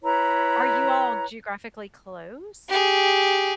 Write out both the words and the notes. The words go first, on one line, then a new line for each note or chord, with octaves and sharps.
Are you all geographically close?
E4 B4 C#5 A#5
G4 G#4